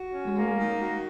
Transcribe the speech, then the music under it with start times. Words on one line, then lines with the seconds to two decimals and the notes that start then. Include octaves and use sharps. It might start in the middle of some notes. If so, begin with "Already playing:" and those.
I know.
Already playing: F#4
0.14 C#4
0.37 A#3
0.59 D#3
0.80 F#4